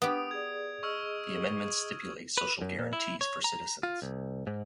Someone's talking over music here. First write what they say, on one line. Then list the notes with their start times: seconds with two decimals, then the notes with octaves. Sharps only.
The amendments stipulate social guarantees for citizens.
0.02 B3 D4 G4 D#6 D7
0.31 G#4 D5 G#6
0.83 G#4 D#5 C#6 E6 F6
2.38 B4
2.62 F#2
2.79 A#2
2.93 E4
3.21 C#5
3.44 A#5
3.83 F4
4.02 C2
4.47 G#2